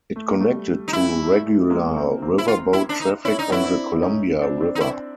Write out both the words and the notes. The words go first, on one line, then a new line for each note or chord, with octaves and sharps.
It connected to regular riverboat traffic on the Columbia River.
A3
A#3
G3 A3
D#4
E4
G#3 A#3
A#3 C4
A#3 C4
E4
F4
E4
D4
D#4
C#4 E4
D4 D#4
B3 C#4 E4
C4 D4
C#4 D#4
C4 D4
C4 D4
D#4
E4